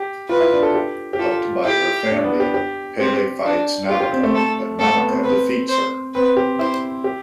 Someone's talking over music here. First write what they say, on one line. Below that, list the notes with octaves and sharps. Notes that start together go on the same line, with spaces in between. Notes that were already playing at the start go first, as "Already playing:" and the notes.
Helped by her family, Pele fights Namaka, but Namaka defeats her.
Already playing: G4
F4 B4
E4
D4
A4
G4
G4
F4 A4
E4 G4
D4
B3
G4
G4
C4 G4
D4
F4 G4
G4
C4
A3
A3 A4
A3 A4
B3
C4
C4 B4
C5
C4 B4
G4
E4 C5
G4